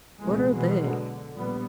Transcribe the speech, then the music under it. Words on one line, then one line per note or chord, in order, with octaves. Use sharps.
"What are they?"
C2 A#2 E3 G#3
B2 E3 F#3 G#3
D3
A#1 G3 B3